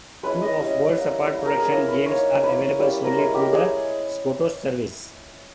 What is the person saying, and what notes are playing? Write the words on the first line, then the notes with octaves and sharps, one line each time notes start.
Two of Worlds Apart Production's games are available solely through the Skotos service.
G#3 C#4 E4 B4
D#5
G3 C#4 E4
A#3 E4
A#3 E4
A#4
G#4
A#3 C#4 E4 A#4
B4
A#3 D#4 C#5
A#3 E4 B4
G3 A#3 C#4 E4
A#4
G#3 C#4 E4 G#4
G4
G#3 B3 E4 G#4